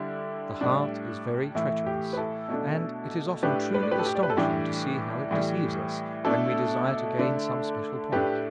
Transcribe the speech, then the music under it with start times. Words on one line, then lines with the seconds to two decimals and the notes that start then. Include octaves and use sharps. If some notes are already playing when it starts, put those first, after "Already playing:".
The heart is very treacherous; and it is often truly astonishing to see how it deceives us when we desire to gain some special point.
Already playing: D3 G3 D4 E4
0.61 A2 G3 D4
1.55 A2 E3 A3 E4
1.86 G4
2.13 B4
2.17 E4 A4
2.48 B2 A3 D4
3.43 A2 A3 D4 G4 B4
3.74 B4
3.83 D5
3.91 G4 B4
3.99 A4
4.06 G4
4.15 D5
4.23 B4
4.30 A4
4.37 A2 E3 G3 D4 G4
5.31 A2 E3 G3
6.25 B2 A3 D4 E4 A4
7.19 D3 A3 D4
8.12 A2 A3 D4 G4 B4